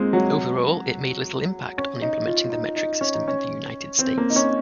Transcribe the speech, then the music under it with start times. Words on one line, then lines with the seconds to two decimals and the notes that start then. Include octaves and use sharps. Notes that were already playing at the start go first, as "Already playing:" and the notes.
Overall, it made little impact on implementing the metric system in the United States.
Already playing: G#3 A#3 C4 D#4 F4
0.13 F#3
1.78 C#4
2.02 D#4
2.27 F4
2.52 D#4
2.76 D#4
3.01 C#4
3.14 D#4
3.28 C#4
3.99 C4
4.18 A#3
4.30 D#4
4.36 C#4